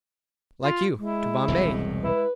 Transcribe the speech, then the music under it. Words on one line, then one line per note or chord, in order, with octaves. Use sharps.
"Like you, to Bombay."
F4
G#3 E4
E1 C2 A2
E4 B4